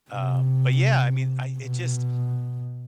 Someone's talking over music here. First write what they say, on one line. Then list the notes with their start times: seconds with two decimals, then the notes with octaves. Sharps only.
Um, but yeah, I mean, I it just
0.11 C3
1.59 B2